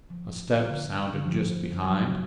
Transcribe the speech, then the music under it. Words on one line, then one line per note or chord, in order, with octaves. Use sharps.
A step sounded just behind.
F3
D3
D3
F3
F#3